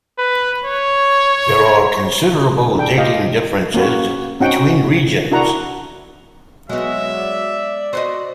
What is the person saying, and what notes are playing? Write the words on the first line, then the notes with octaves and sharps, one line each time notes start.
There are considerable dating differences between regions.
B4
C#5
D4 A4 G5
F4 G4 D#5 F5 G5
A#3 C#4 F#4 B4
C4 C#4 D#4 F#4 F#5 G5
D4 E4 F#4 A#4 F#5 A#5
F#3 G#3 B3 F#4 E5
D5
F#4 B4 C5 D#5